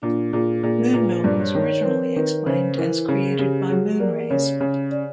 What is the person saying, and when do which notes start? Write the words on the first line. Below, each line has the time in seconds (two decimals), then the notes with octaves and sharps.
Moonmilk was originally explained as created by "moon rays".
0.02 A#2 D4
0.32 A#2 G#4
0.63 A#2 G#4
0.78 A#4
0.94 A#2 B4
1.09 C5
1.24 G2 D5
1.40 C#5
1.55 D#3 C#5
1.70 C#5
1.80 B4
1.85 C4 A#4
2.04 A#4
2.16 D#3 B4
2.46 C#3 C5
2.77 E3 A#4
3.08 C#3 G#4
3.30 G#4
3.38 C#3 G4
3.69 F#3 G#4
4.00 A#3 D5
4.30 C#3 C#5
4.60 C#3
4.91 D5